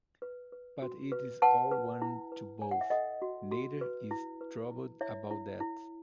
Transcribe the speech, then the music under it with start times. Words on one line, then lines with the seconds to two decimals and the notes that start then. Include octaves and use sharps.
But it is all one to both; neither is troubled about that.
0.22 B4
0.52 B4
0.82 F#4
1.12 B4
1.42 B4 F#5 A5
1.71 B4
2.02 E4
2.32 B4
2.62 C#5 G#5
2.71 F#5
2.81 E5
2.90 A4 D#5 F#5
3.22 F#4
3.52 F#4
3.81 B4
4.11 E4
4.41 B4
4.71 E4
5.01 E4 C#5 E5
5.31 E4
5.60 E4